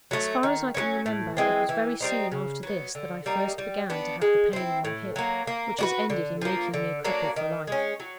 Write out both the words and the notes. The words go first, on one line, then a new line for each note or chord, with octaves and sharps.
As far as I can remember, it was very soon after this that I first began to have the pain in my hip, which has ended in making me a cripple for life.
F#3 A3
D#3
F#3 A#3 C#4
A2
E3 G#3 C4
E3
G3 C4 D#4
C#3
F#3 B3
D3
G3 A#3 D#4
G3
B3 D4
G#3
C4 E4
A2
F#3 A#3
A#3
D4 F#4 B4
D3
F3 A#3
D3
F#3 A#3 D4
D#3
G#3 C#4
F#3